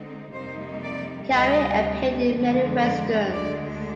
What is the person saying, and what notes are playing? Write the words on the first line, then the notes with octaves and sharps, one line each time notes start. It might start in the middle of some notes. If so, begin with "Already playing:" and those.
Carey appeared in many Westerns.
Already playing: D3 G#3 C4 D#4
F2 C3 G3 A#3 D#4 C5
D5
D2 C3 G3 D#5
F2 D3 G#3
D5
D2 D3 G#3 D4 D5